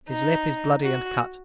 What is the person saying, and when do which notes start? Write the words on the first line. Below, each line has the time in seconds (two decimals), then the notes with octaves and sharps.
His lip is bloody and cut.
0.09 D#4
0.83 F#4